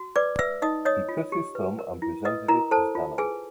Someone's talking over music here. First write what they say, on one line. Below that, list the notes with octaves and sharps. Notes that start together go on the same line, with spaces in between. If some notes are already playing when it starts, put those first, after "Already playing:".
He cut his thumb and presented it as dhanam.
Already playing: F#4
B4 D5 D6
B4 E5 E6
D#4 D#5 D#6
C#5 D#5 D#6
F4
G4
B4
A#4
E4
B4 D#5 D#6
E4 A#4 A#5
A4 C5 A5
F4
G#4 B4 G#5